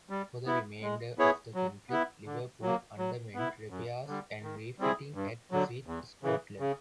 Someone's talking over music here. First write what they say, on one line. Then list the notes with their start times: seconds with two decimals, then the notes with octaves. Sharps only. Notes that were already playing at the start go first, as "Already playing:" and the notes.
For the remainder of the conflict, "Liverpool" underwent repairs and refitting at Rosyth, Scotland.
0.10 G3
0.46 B3 E4
0.82 G#3
1.18 B3 E4 G#4 C#5
1.54 F#3
1.90 B3 E4
2.26 D3
2.62 F#3 A#3
2.98 F#3
3.35 B3 E4
3.70 F#2
4.07 D3 G3
4.43 D#3
4.78 G3 C4 E4 G#4
5.14 G2
5.51 D3 F#3
5.86 E2
6.23 C#3 E3
6.59 C#3